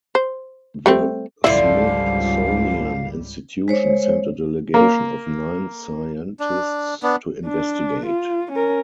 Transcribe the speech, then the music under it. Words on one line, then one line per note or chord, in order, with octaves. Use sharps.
The Smithsonian Institution sent a delegation of nine scientists to investigate.
C5
G3 A3 C4
G#1 C#2 D3 F3 G3 E4 F5
G#3 C5 C#5
A#3
D4
B3 D4
D4
F4
C#4 A#4